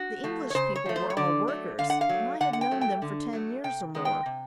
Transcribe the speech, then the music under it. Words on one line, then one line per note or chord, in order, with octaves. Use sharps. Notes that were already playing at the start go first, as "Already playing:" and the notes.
The English people were all workers, and I had known them for ten years or more.
Already playing: F#4
F3 A3
C#5
C#3 C5
C#5
F3 A3
C5
C#5
D3 D5
F#3 A3
D3 F5
F#5
F5
F#3 A3
D3 F#5
F#5
G5
F#3 A3
G5
D3
F#3 A3
C3 G5
D#3 G#3 B3
G5
C3